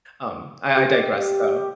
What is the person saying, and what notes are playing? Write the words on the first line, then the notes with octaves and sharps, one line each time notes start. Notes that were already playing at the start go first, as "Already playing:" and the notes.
um, I I digress, though,
G4